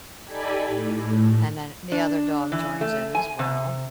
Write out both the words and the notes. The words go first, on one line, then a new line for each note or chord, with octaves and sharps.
and then the other dog joins in as well.
D#4 G4 A4 D5 G#5 B5
A2
D4
E3
A3
G#5
C3